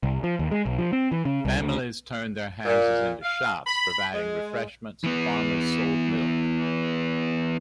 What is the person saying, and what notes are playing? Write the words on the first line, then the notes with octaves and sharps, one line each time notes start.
Families turned their houses into shops providing refreshments and farmers sold milk.
C2
F3
D#2
G#3
B1
F3
C4
E3
C#3
C2
D2
A#2
F5
B5
G#3
E3 B3